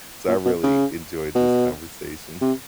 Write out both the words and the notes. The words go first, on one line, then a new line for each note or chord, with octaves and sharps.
so I really enjoyed this conversation.
A#2
B2
C#3
B2
C3